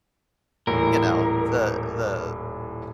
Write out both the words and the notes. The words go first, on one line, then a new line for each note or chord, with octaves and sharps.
you know, the the
D#1 A2 E3 A#4